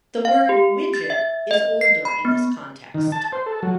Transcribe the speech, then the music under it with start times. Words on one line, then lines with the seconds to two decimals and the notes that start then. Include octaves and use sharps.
The word "widget" is older in this context.
0.25 F5
0.49 G4
0.94 A6
1.10 E5
1.51 D#5
1.81 C7
2.05 B5
2.25 B3
2.94 D#3
3.12 A5
3.32 C5
3.46 A4
3.63 F#3